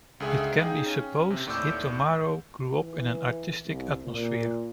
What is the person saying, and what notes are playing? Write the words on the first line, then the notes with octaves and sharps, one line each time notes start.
It can be supposed Hitomaro grew up in an artistic atmosphere.
C#2 D3 G#4 E5
D#4 G#4 F5 G5
C#4
C3
D#2 A2 D5 D6 E6 G6
E3
C2
A#2